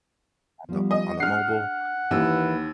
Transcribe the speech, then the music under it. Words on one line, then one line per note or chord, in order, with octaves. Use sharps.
on the on the mobile.
F3 G3 B3
D#5
D4 G#4 F#5 F6 C7
D#2 E3 A#3 E4 E6